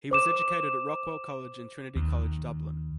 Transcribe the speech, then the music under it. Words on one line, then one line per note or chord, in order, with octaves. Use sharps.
He was educated at Rockwell College and Trinity College, Dublin.
C5 D6 E7
D#2